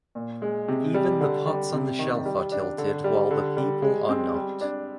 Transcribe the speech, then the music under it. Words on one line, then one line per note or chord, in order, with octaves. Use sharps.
Even the pots on the shelf are tilted while the people are not.
A#2
G#3
C3
G3
D3
G3
C3
D#3
G3
D4
D3
G3
D3
G3
G#3
C4
G3
D4